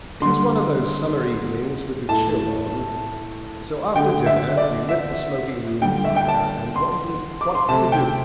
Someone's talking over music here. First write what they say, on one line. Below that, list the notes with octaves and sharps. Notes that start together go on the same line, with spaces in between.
It was one of those summer evenings with the chill on, so after dinner we lit the smoking-room fire and wondered what to do.
D3 G3 C6
A2 A3 A5
D3 A3 G5
E5
D5
E5
D3 G3 G5
E5
G5
A5
C6
D6
C6
C3 A3 A5
G5